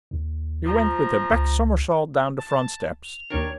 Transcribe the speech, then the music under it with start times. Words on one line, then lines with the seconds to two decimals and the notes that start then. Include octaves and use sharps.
We went with a back somersault down the front steps.
0.11 D#2
0.66 F3 A#5
1.30 C#2
2.38 A5
3.03 F7
3.30 D#2 D4 G4 A#4 C#5